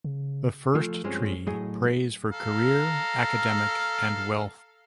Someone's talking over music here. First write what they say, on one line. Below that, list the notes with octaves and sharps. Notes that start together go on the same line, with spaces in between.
The first tree prays for career, academic and wealth.
C#3
F3 A3 F4 A4 G#5
G2 F3 G#3 C4 C#4
A2 F#3 G#4 D#5
A4 F5 A#5